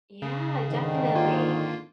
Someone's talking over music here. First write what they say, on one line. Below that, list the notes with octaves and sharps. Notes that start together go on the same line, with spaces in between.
Yeah, definitely.
C#3
G#2 D3 D#3
A#3 F4